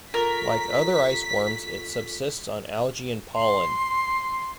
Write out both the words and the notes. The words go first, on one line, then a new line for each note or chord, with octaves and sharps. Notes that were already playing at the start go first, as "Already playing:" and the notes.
Like other ice worms, it subsists on algae and pollen.
F4 A4 A#4 C#6 B6
C6